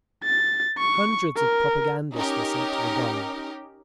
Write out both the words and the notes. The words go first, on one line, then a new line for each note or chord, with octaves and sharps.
Hundreds of propagandists were sent to the Don.
A6
C#6
A#4
C#4 D#4 G4 A#4